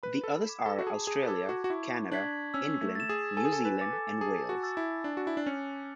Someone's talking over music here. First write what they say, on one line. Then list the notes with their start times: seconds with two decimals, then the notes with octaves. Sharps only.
The others are Australia, Canada, England, New Zealand and Wales.
0.03 B4 B5
0.24 A4
0.44 D6 G#6 B6 E7
0.66 A4
0.79 F#4
0.87 G#4 A5
1.07 G#4
1.23 B4
1.28 A4 D6 G#6 B6
1.49 F#4
1.64 F#4
1.70 E4 C#6
2.12 D4 G#6 B6 F#7
2.54 C#4 E6
2.81 A3
2.95 A6 E7
3.09 G#4
3.37 A4 G#5
3.45 G#4
3.52 A4
3.65 B4
3.79 D6 A6 C#7
3.93 A4
4.21 G#4 A5
4.49 F#4
4.63 C#6 E6 A6
4.77 E4
5.04 D4 D6
5.17 F#4
5.27 E4
5.37 D4
5.46 C#4 F#6 C#7 F#7